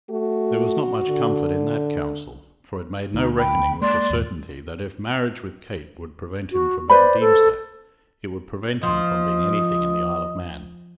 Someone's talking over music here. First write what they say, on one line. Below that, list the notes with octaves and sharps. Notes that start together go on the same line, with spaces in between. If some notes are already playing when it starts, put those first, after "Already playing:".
There was not much comfort in that counsel, for it made no reckoning with the certainty that, if marriage with Kate would prevent him from being Deemster, it would prevent him from being anything in the Isle of Man.
A3 F#4
D3
D2 D#4
G5 B5
G#3 A#3 D5 C6
D#2 G#2
F#4
B4 C5 D5 B5
A4
F3 D#5